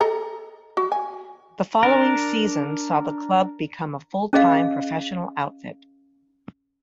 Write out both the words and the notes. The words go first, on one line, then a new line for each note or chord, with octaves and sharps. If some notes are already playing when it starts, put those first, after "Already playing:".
The following season saw the club become a full time professional outfit.
A4 D#5 A#5
F#4
G#5
D4 A#4
C#4 G#4 D#5 F5